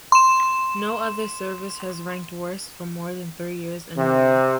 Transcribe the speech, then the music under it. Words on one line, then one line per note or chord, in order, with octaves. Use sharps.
No other service has ranked worst for more than three years in a row.
C6 E7
C3